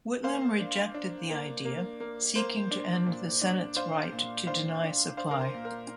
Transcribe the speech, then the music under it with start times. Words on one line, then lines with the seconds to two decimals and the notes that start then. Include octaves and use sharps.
Whitlam rejected the idea, seeking to end the Senate's right to deny supply.
0.23 A#3 C5 F5
0.59 D4
0.94 D4
1.30 A#3
1.65 A#3
2.00 A#3
2.36 A#3 C5
2.71 D4
3.06 A#2
3.42 D4
3.76 D4 C5 F5
4.12 A#2
4.47 D4 C5 F5
4.82 D4
5.17 D4 C5 F5
5.31 A#4
5.41 C5
5.54 A#2
5.65 A#4